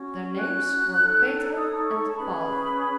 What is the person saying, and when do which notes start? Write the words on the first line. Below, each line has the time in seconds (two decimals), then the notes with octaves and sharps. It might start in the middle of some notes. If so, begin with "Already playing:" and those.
Their names were Peter and Paul.
Already playing: C#4 F#4 C#5
0.39 F#6
0.99 D#4 A4 C#5
1.57 D#6
1.87 C#6
2.07 A5
2.17 C#4 G#4 B4 B5